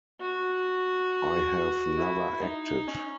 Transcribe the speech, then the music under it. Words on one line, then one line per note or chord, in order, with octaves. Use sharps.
I have never acted.
F#4
E4
D#4
C#4